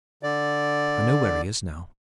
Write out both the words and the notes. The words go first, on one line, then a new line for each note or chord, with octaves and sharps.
I know where he is now.
D3 D5